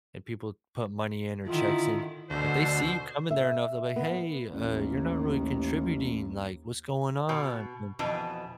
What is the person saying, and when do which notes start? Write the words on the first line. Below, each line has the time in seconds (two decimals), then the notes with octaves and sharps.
and people put money in or checks in. If they see you coming there enough, they'll be like, "Hey, uh, you're not really contributing, like, what's going on an"
1.46 D3 D#3 E4 F4
2.30 D2 B2 D3 C5
3.31 E5
3.96 B3
4.54 A1 D#2
7.29 B2
7.99 F2 B2 E3